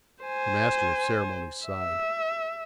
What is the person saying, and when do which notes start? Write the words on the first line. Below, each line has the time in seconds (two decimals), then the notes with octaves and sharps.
The Master of Ceremonies sighed.
0.23 C5 G#5
1.66 E5